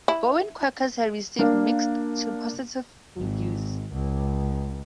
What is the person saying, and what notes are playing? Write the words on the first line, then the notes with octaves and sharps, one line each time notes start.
"Goin' Quackers" has received mixed to positive reviews.
E4
A#3 D4 A#4 F5
G#1
C#2